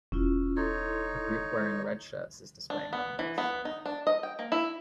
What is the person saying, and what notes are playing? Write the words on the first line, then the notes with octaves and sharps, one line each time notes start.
A group wearing red shirts is displaying numbers.
E1 C#4 E4 F4
D#4 E4 A4 C#5 C6
D4
B3
E3
B3
D#4
D4
D#5
G5
A#3
E4